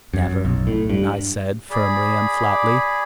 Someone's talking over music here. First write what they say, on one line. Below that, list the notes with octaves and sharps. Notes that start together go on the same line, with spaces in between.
"Never," I said, firmly and flatly.
F#2
B1
A2
G2
G#4 D5 B5